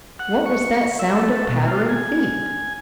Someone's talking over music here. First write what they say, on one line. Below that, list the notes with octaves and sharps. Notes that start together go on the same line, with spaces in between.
What was that sound of pattering feet?
F#5
C#6
E5
A3
B2
F4
G#5